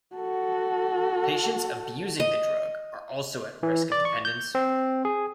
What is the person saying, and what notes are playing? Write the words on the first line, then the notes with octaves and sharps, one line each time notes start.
Patients abusing the drug are also at risk of dependence.
F#4 A4
D#5
E3
D5
C#6
G6
C4
G#4